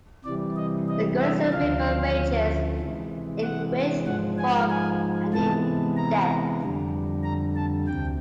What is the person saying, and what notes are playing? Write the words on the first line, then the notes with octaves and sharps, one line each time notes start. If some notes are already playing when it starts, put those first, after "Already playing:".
The Gunnison River ranges in width from and in depth.
C3 E3 G3 D5
D#5
D#5
E5
D2 C#3 F3 F5
C3 E3 G#3
F#5
G#2 F3 G#3 F#5
G#5
G#5
C3 E3 G#3 B3 A5
A#5
F2 D3 G3
A#5
A5
D2 C3 G5